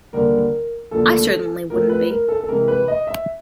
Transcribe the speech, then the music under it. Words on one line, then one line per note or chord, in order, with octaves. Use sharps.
I certainly wouldn't be.
D#2 D3 G3 A#4
D#2 D3 F3 A3 A4
A2 F3 A3 A#4
B4
A#4
A4
A4
C3 E3 G#3 A#4
B4
D#5
E5